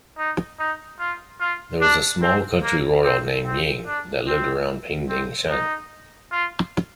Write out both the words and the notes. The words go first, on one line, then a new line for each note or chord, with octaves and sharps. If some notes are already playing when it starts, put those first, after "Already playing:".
There was a small country royal named Ying that lived around Pingdingshan.
D#4
D#4
F4
F4
D4
C4
A#3
C4
C4
D4
C4
C4
D#4
F4